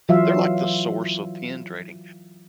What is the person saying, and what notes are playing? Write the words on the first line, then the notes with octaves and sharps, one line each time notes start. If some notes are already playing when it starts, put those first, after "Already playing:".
they're like the source of pin trading.
E3 F#3 F4 E5 F5